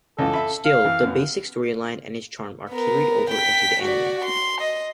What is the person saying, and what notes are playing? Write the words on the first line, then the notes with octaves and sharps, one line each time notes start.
Still, the basic story line and its charm are carried over into the anime.
C#2 E3 F4 A4
E5 B5
F5
E3
F#2 B3
B3 A#4
G5 B6
F#4 D5
C6
D#5